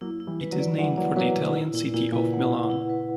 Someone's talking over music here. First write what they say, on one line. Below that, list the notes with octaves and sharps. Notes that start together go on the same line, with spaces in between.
It is named for the Italian city of Milan.
F#3 A#3 E4
E4
E3 G3
B4
D3 F#3
D5
E3 G3 F#5
F#3 A#3 D5
F#3 A#3 B4
B2 E4
A#2 E4
A#2 E4
A#2 E4
A#2 C#3 B4
F#5
E4
E4
B4